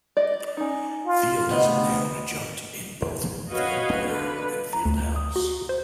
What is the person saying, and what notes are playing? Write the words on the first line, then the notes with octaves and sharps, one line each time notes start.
"Field" is a noun adjunct in both "field player" and "fieldhouse".
D5 D#5
C#4 D#4
F4
D2 C3 B3 D#5
F#4 B4 C#5 D#5 F5
D3 B4
A#5
D2
D#6
F#4
C5